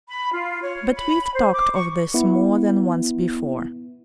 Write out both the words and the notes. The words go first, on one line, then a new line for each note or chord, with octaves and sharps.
But we've talked of this more than once before.
B5
F4
C#5
B5
C5
D6
C#6
B3 E4